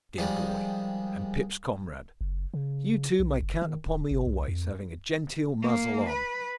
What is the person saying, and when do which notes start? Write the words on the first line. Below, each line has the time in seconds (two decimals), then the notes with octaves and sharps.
Dear boy, and Pip's comrade, you two may count upon me always having a gen-teel muzzle on.
0.18 D#3 F3 G3 G#3
2.21 F#1
2.54 C#3
3.20 B1
3.43 F#1
3.62 D#3
3.86 D1
4.11 G1
4.27 C2
4.48 F2
5.62 A#3
6.09 B4